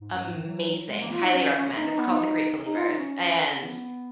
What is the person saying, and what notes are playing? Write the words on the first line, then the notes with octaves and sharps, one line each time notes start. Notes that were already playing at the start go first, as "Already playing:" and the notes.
amazing, highly recommend, it's called The Great Believers, and
G#2
F#2
G#2
D#3
F#3
G#3
A#3
F4
D#4
C#4
C#4
D#4
D#4
B3
D#4
D#4
F4
D#4
C#4
B3